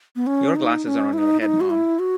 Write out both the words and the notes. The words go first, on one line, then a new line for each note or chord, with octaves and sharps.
Your glasses are on your head, mom.
B3
C#4
D#4
D#4
C#4
E4
D#4
E4
D#4
F#4
E4
F#4